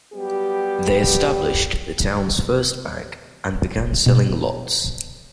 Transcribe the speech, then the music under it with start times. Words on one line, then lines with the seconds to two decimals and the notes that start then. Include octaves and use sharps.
They established the town's first bank and began selling lots.
0.13 F#3 G3 B3 G4
4.06 B2